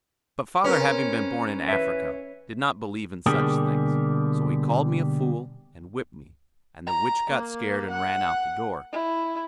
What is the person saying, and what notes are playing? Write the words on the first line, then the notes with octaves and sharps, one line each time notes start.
But father, having been born in Africa, did not believe in such things, so he called me a fool and whipped me and the witch got scared and ran out the door.
C4 C#4 A#4 B4
B4 E5
B2 D3 G3 A#3 G4 G#4
A#5
A#3
F#5
E4